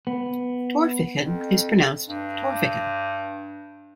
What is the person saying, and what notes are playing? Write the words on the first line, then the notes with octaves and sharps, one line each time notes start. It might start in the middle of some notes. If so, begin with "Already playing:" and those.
Torphichen, is pronounced 'Tor-fikken'.
B3
F2
G2